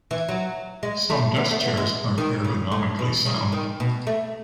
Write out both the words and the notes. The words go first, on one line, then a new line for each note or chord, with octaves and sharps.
Some desk chairs aren’t ergonomically sound.
E3
F#3
G#3
A3
B3
A3
B3
G#3
D#3
C#3
A2
B2
C#3
D#3
B2
A3